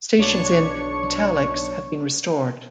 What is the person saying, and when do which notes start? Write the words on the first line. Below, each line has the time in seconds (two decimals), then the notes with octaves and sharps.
Stations in "italics" have been restored.
0.18 B1 D4 C#5 C#6